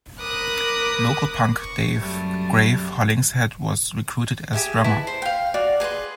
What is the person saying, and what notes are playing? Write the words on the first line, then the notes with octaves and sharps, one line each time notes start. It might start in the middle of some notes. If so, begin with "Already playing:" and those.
Local punk Dave 'Grave' Hollingshead was recruited as drummer.
A#4 B5 D6 D#6 F#6
C#6
F#2 G3 A3
G4 G#4 E5 G#5
E4 B4 A5 B5
C5
F5 G5
F4 F#4 D5
G#4 B4 G#5 C6